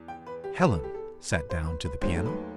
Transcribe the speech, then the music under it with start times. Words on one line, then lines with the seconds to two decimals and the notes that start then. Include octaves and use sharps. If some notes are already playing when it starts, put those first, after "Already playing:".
Helen sat down to the piano.
Already playing: E2
0.08 G5
0.26 B4
0.44 G4
0.61 B4
0.72 A4
0.84 G4
0.94 A4
1.32 B4
1.50 C5
1.66 B4
1.85 B4
2.01 D#2 D#3 F#3 A3 C5
2.16 A4
2.26 B4